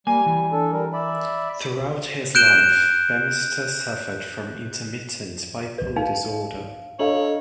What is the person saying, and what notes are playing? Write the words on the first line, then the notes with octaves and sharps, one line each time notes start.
Throughout his life, Bemister suffered from intermittent bipolar disorder.
G3 A#3 G#5
E3
D4 A4
G3 A#4
D5 E5 B5
F#6 G6 D7 E7 G7
B4
D#4 F5
D4 A4 C#5 D#5 F5 F#7